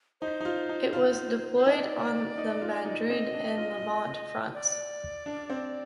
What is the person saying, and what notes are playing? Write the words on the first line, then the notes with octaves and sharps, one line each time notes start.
It was deployed on the Madrid and Levante fronts.
D#4 C5
D#4
F4
D#4
F4
C5
D#4 D5 D#5
D#4
F4
D#4
C4 D#5
D4
F4
D5
D4
C4